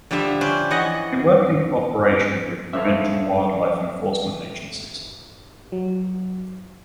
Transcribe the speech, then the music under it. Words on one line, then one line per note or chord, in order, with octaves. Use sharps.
They work in cooperation with provincial wildlife enforcement agencies.
D3 F3 G3 G4 E5
C#4 B4 C5 D5
E3 C#5 D#5 F#5
C#4 A4 C5 E5 F5
F#3